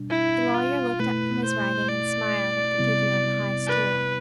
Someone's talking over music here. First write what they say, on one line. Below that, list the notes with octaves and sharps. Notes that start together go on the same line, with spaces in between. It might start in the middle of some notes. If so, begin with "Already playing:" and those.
The lawyer looked up from his writing, and smiled at the figure on the high stool.
Already playing: B2 G3 D4
E4
F4
B2 A3 E4 B4
C5
D5
C3 G3 B3 E4
B4